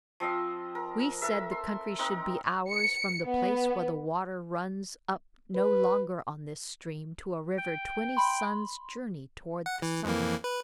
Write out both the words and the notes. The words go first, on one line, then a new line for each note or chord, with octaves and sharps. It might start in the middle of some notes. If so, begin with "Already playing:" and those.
We said the country should be ours from the place where the water runs up no longer on this stream, to a river twenty sun's journey toward the summer.
F3 C4 D#5 F5
A#4
A#4
A4 A#4 E5
C6
C4 D#4 A#4
C#7
B3
B4
G5
B5 C6
F#5
E3
F2 E3 A#3
B4